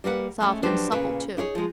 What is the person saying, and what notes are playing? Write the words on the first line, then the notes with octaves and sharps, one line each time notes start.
Soft and supple too.
G3 A#3 B4 F#5
G#3 A3 C#4
F3 F#3 D4 G4 B4 C5
A#2 C#3 B4
D#4 E4 G#4 C#5
F3 G#3